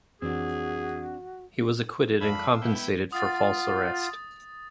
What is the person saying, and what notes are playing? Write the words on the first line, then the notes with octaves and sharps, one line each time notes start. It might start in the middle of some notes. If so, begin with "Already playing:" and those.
He was acquitted and compensated for false arrest.
F2 E3 C4 D4 F#4 G#4
F2 D4 F5 B5 E6
B3 E4 G5
F4 F#5 D#6 A6